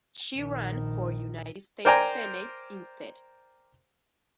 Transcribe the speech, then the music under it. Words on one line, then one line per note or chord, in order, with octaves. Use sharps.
She ran for United States Senate instead.
A#1 D#3
A#4 C5 D5 G5 G#5 A#5